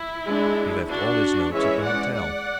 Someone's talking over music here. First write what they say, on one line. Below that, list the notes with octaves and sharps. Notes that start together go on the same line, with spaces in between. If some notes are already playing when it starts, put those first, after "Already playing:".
He left all his notes at the hotel.
Already playing: E4
G#3 D4
D4 F#4
E3 G#3 C#4 C#5 E5
D5 F#5
D5 F#5